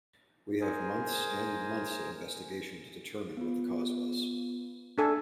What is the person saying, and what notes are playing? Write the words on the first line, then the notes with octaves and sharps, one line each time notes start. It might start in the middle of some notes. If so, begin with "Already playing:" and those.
We have months and months of investigation to determine what the cause was.
G#4 A#4 C5 D#5 G#5
B3 F4
D4 A4 G#5